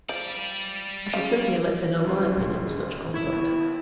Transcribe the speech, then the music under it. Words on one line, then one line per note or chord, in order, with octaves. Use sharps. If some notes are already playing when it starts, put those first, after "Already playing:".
I shall certainly let her know my opinion of such conduct.'
F3 G3 D5
C#3 F4
C#2 C#3 C6
E4 C#6 G#6
D#2 B3